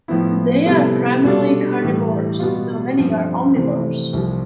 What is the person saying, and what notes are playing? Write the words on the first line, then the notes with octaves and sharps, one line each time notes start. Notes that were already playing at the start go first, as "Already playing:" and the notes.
They are primarily carnivorous, though many are omnivorous.
A2 F3 B3 E4
C3 G3 B3 E4 A4
B2 G3 D4 F4 A4
A2 E3 G3
B2 G3 B3 F4
G2 F3 C4
C3 E3 A3 C4
C2 C3 F3